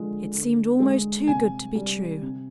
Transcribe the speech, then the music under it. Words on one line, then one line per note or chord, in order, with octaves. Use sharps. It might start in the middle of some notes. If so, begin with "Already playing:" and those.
It seemed almost too good to be true.
Already playing: D3 F3 G#3
D3
G#3
C3 G#5
G3
C3